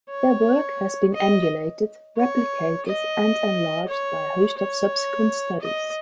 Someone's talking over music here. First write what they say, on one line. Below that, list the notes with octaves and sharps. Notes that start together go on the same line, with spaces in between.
Their work has been emulated, replicated, and enlarged by a host of subsequent studies.
C#5
D#5
C#5
D#5
C#5
C#5
D#5